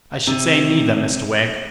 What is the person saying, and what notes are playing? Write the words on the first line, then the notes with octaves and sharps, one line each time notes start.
'I should say neither, Mr Wegg.'
C3